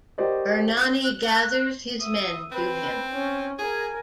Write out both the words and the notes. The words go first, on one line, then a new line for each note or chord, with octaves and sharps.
Ernani gathers his men to him.
F#4 G4 A#4 C5 D5 D#5
F#6
E5 D#6
C4 B4
C#4
G#4 A#4 G#5